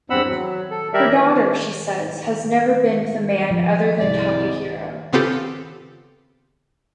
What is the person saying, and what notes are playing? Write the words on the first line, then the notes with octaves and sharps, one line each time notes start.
Her daughter, she says, has never been with a man other than Takehiro.
E2 G2 C4 F#5 B5 E6
F#3
A4
G3 G4 A#4 D5 E5
E3
F3
C2 G#2 D5
C#3 B3 C4 F4 G4 A4